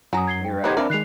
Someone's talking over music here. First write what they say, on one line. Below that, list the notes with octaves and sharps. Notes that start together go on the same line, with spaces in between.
You're right.
F#2 F#3 G#5 A#5 D#6
G#6 C7 G7
G5
B3 D#4 G4 C5 D#5 F#5 A#5 G#6
C4 D4 A#4 D5 E5 F5 B5
D#3 G#3 F#6 C7 F7